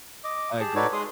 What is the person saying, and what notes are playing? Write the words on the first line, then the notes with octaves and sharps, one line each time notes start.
I agree.
D#5 D6
G4 G#4 A5
D#4 F#4 A4 B4 C#5 D5
G#3 G#4 C6 D#6